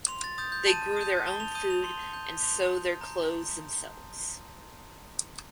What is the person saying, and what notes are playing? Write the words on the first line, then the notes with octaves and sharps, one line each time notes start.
They grew their own food and sew their clothes themselves.
C6 F7
A6
D#6 G6 A6
G6
A5 D#7
D#6 G6
A5 G7
F7
D#6 G6 D#7
F7
C6 G7
G6
C6 F7
G6
A#5